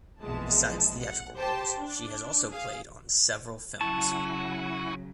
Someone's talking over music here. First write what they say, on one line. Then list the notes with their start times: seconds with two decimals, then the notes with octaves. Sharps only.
Besides theatrical roles she has also played on several films.
0.22 A#1 F2 B2 E3 G#3 A5
1.00 F#5
1.35 G4 C5 G5 A5
1.78 D4
2.49 G#4 F5
3.81 C#3 F#3 E4 F#4 F#5 G#5 A5